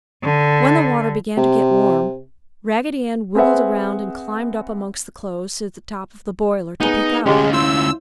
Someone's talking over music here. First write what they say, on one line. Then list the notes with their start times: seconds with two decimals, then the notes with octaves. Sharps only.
When the water began to get warm, Raggedy Ann wiggled around and climbed up amongst the clothes to the top of the boiler to peek out.
0.23 D3
1.37 C3
3.35 C4 G#4 B4 E5 F#5
6.80 B3 D#4 G#4 B4
7.26 D2 G#3 C#4 G4
7.53 E4 F4 C5 E6